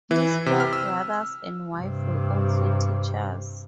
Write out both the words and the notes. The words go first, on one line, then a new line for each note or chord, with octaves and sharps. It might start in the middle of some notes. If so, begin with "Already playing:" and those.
His four brothers and wife were also teachers.
E3
C3
F6
E6
G2 C3